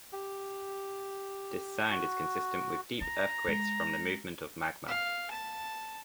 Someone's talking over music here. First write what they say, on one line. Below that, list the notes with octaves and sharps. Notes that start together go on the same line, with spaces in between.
This sound is consistent with deep earthquakes from the movement of magma.
G4
F#4
F4 A#5
G#3
F5
A5